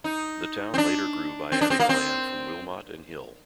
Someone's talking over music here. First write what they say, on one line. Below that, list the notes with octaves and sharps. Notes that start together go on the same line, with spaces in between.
The town later grew by adding land from Wilmot and Hill.
D#4
C4
D4
C4
D4
C4
A#3
C4